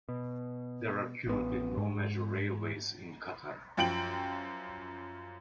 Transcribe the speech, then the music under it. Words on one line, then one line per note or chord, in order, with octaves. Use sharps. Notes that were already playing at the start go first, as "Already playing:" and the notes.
There are currently no major railways in Qatar.
B2
A1 B3
G#2
F#2 F3 G5 D7 F#7